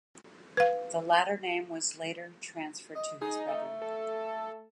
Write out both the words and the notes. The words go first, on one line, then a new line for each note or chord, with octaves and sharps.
The latter name was later transferred to his brother.
B4 F5
D#5
D#4 G#4
A3
A4